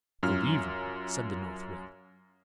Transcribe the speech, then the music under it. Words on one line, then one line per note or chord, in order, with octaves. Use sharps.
'Good evening!' said the North Wind.
F#2 C#4 F4 F6